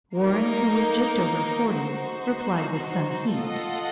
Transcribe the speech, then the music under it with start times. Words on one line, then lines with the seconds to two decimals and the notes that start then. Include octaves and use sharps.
Warren, who was just over forty, replied with some heat.
0.16 A#3 D#4 A#4
1.74 D#4 F#4 C5
3.31 F4 A4 D#5 F#5